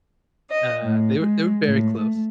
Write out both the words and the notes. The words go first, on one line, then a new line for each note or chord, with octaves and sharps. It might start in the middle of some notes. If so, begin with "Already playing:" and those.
uh, they were they were very close,
D#5
A2
G#3
A2
A3